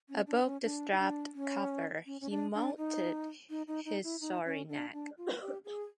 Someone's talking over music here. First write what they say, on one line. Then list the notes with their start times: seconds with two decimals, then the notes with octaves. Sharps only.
Above the strapped cover, he mounted his sorry nag.
0.09 C#4
0.27 D4
0.45 C#4
0.63 D4
0.91 D#4
0.98 D4
1.34 C#4
2.06 C#4
2.21 C#4
2.30 D4
2.54 D4
2.78 D#4
3.50 D#4
3.67 D#4
3.85 D#4
4.04 E4
4.21 D#4
4.45 C#4
4.69 D4
4.93 D4
5.18 F4
5.41 G4
5.65 G#4